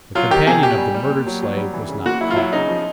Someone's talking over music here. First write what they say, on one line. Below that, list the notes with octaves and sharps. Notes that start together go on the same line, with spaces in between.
The companion of the murdered slave was not caught.
F#3 F4
D#3 G4
C3 G#4
B2 G4
G3
G3
A#2
F#3
F#3
G3
E3
C#3
A#2 F#4
F#3 E4
F4
F#3 E4
C#3 D#4
F3